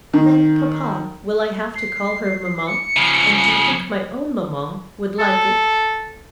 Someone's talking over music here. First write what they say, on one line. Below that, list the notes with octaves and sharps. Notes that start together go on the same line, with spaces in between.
"Then, papa, will I have to call her mamma? and do you think my own mamma would like it?"
D#3
C7
C#7
C#3 F3
A4